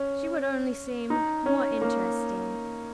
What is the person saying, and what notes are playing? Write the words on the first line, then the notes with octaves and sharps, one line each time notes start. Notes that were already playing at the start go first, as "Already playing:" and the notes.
"She would only seem more interesting."
Already playing: C#4
D#4
C#4
A#3